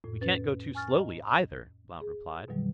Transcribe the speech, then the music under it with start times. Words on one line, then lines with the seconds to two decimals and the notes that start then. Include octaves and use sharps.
"We can't go too slowly, either," Blount replied.
0.04 F2 A2
0.21 C#4 B4 A6
0.75 G#5 C#6 F6 A6
0.97 D#5 A#5
2.01 G#4
2.48 F#2 B2 D3 D#3 F#3 G3